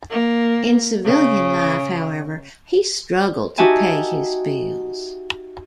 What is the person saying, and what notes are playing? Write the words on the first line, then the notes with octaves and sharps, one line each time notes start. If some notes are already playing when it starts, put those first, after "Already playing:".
In civilian life, however, he struggled to pay his bills.
A#3
C#3
D#4 F#4 G4 E5 G#5 A5